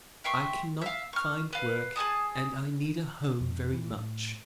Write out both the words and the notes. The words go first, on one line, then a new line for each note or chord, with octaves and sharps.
"I cannot find work, and I need a home very much."
E5 G5 C6 C#6
E5 F5
C#6 F6
B4 F5
G#4 G#5 A5 D#6
F2
E3
A2